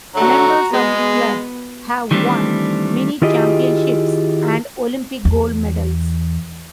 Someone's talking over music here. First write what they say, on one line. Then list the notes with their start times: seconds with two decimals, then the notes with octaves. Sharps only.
Members of the club have won many championships and Olympic gold medals.
0.15 D3 F#3 A3 F#4 A#5
0.72 G#3 B3
2.11 D#3 E3 G3 A3 C4 D4
3.22 D#3 E4 F4 G4 G#4 D#5
5.25 E2